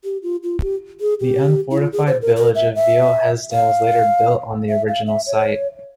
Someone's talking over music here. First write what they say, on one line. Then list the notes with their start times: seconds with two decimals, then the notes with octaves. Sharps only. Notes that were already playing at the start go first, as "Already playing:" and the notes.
The unfortified village of Vieil-Hesdin was later built on the original site.
0.04 G4
0.23 F4
0.43 F4
0.62 G4
1.01 G#4
1.20 G4
1.71 E4
1.78 F4
1.92 G#4
2.07 C5
2.22 A#4
2.36 A#4
2.55 E5
2.75 E5
3.52 F5
4.69 E5
4.88 F5
5.07 E5
5.27 C#5